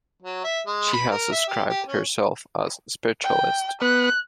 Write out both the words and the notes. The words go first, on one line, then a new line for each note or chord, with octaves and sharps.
She has described herself as spiritualist.
F#3
E5
G#3
B5
A#4
E5
G4
G4
C#4
G5
B3 F#6